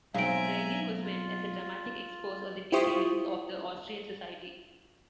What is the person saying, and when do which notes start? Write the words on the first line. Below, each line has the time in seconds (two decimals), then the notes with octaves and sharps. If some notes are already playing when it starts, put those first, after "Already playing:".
"Reigen" was meant as a dramatic expose of the decadence of the Austrian society.
0.14 B1 G#3 C4 E5 F5 G#5 A#5 D7
1.02 F4
2.72 E4 F4 G4 C5 C#6 D#6